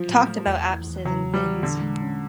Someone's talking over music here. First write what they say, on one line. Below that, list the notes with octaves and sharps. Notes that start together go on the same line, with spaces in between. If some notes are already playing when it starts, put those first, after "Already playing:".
Talked about apses and things.
Already playing: F3 F#3
A2
A3
E2
E3
E2
C#3 F#3
E2
G3
E3
A#2 D3
G#3
C#4